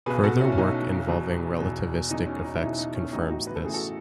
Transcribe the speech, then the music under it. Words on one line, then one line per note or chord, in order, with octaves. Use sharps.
Further work involving relativistic effects confirms this.
B1 B2 G#4 B4
F#4 A4
C#4 E4
C#4
B1 B2 D#4
E1 E2 B2
E1 E2 B2
E1 E2 B2 D#4
C#4
D#4
E4
E1 E2 B2 D#4
D#4
C#4
A1 A2 E3 D#4
D#4 F#4
B4
A4
A1 A2 E3 G#4
F#4 A4